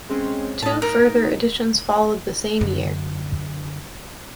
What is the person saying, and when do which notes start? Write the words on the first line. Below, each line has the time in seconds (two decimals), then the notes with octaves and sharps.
Two further editions followed the same year.
0.10 G#3 C4 C#4
0.62 A2 D#5 A5
0.82 D#4 A#4
2.61 F#2 D3